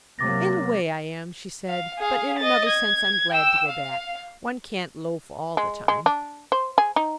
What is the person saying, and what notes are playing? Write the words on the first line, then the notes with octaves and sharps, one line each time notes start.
"In a way I am," she said, "but in another sense I'm glad to go back. One can't loaf all the time."
C3 F#3 A#3 D6 A6 A#6
F5
G#4 F5
D#5 A6
G#6
G5 E6
F5
G#3
G#3
D4
C5
G#4
D#4